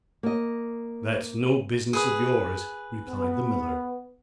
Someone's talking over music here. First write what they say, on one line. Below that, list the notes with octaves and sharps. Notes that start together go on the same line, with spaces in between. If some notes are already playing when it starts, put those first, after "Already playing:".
"That's no business of yours," replied the miller.
A#3 D#5
G#4 B4 D#6
B3